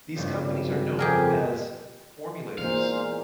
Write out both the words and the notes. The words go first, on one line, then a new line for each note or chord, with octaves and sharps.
These companies are known as "formulators".
G#1 C#2 G2 C3 G3
F2 G4 G#4 A#4
E2 A#2 G#3 A#3 D#4 C5 F5